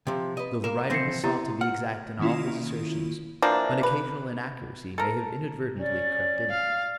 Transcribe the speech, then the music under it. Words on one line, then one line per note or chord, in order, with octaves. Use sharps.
Though the writer has sought to be exact in all his assertions, an occasional inaccuracy may have inadvertently crept in.
C3 F3
B4 D#5
A#3 A#4 E7
E3 F3 C4 A#6 C7 C#7
B3 E4 G4 C5 E5 A#5
F#5 F6
D#3 A#3 C#4 E4 F4
E3 F3 A#3 D4
B4
A4 A#4
C#4 D5
F5